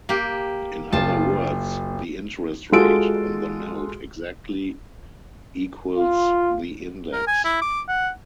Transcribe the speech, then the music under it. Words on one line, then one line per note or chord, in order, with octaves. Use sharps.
In other words, the interest rate on the note exactly equals the index.
A#3 G4
F#1 F4 A5
G#3 F4 F#4 A4 D7
F4
A#4
G#5
E4
D6
F#5